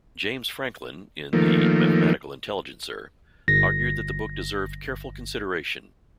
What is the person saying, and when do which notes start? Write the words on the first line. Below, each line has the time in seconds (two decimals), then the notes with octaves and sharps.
James Franklin in the "Mathematical Intelligencer" argued that the book deserved careful consideration.
1.33 D#3 F3 A3 A#3
3.48 G1 A#6